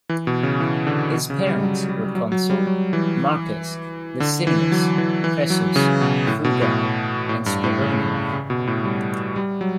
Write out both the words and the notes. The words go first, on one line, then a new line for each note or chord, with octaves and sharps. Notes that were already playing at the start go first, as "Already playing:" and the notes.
His parents were consul Marcus Licinius Crassus Frugi and Scribonia.
E3
B2
C#3
E3
D3
B2
C#3
G3
F#3
G3
F#3
F#3
G3
F#3
E3
D3
E3
F#3
E3
E3
F#3
C#3
B2
A2
B2
A2
A2
G2
A2
C#3
C#3
B2
A2
G3
G3
F#3